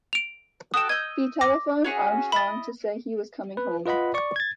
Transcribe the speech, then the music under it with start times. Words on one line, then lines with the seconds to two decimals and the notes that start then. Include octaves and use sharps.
He telephoned Armstrong to say he was coming home.
0.13 D7 F7
0.74 F#4 A4 G5 D#6 E7
0.89 D#5 E6 G6 G#6
1.41 D6 A#6
1.84 C#4 F#4 G#4
2.32 E4 D#5 B5 A6
3.57 B4
3.86 F4 B4 D#5 F#5 B5
4.14 D5 C#6
4.36 G#6 A6